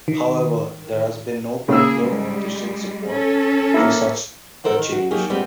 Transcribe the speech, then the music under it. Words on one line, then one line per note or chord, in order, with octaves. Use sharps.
However, there has been no popular or official support for such a change.
D#3
C#3 A#3 G#4 E6
G3 G#3
C#4 A4
A#3 E4
A4 A#4 C5 F#5
D#3
F#4
F#3 A#3 D#4 G4 G#4
G2 A#2 G3 G#3 B3 C4